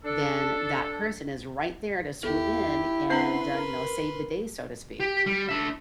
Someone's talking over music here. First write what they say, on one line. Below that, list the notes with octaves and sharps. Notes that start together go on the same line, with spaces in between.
then that person is right there to swoop in and, uh, you know, save the day, so to speak.
D4 A4
E2 E4 G4 A4
C4 D4 B4 C5 F#5 C6 C7
A#4
G4
G3
D4 E5